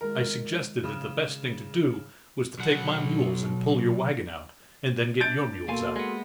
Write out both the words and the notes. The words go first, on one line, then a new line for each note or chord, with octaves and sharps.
I suggested that the best thing to do, was to take my mules and pull your wagon out, and then get your mules out.
D#3 G#3 F4 A#4
C#3 D#6 F6
B1 F#5
D4 G6 A6 D7
B2 A#3 F#4 A4 F5 G#5 C6
G#3 B3 C#4